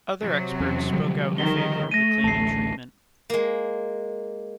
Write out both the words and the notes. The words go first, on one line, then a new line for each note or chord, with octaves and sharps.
Other experts spoke out in favour of the cleaning treatment.
C3 F#3
E2 C#4
D3 F3 G3
D#3 G7
A3 A#6 D#7
A1 D2 A5 C7
G#3 A#3